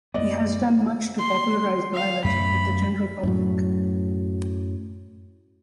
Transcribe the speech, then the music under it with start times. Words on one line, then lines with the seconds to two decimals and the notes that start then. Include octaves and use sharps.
He has done much to popularise biology with the general public.
0.14 F#2 G#3 B3 D5 D#5
1.18 C6
1.93 F5
2.24 F#2 A3 B5
3.23 F#2 A2 F#3